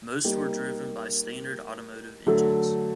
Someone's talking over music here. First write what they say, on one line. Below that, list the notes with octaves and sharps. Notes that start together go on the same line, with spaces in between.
Most were driven by standard automotive engines.
G3 A#3 D#4 G4 A#4
D3 F#3 A3